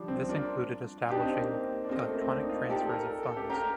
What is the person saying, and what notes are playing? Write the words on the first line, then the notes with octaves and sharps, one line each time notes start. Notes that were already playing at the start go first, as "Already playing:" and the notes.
This included establishing electronic transfers of funds.
Already playing: F3 G3 D4
C4
D4 F4 A#4 D5
D4 D#4 G4 D5 A5
C4
A#3
A#3
D4
C4 F4 A4 D#5
A3
A#3
C4
D4
D#4
F4
D#4 G4 A4 D5 A5
A4
A#4
A4
A4
G4
G4 A#4 F5 A#5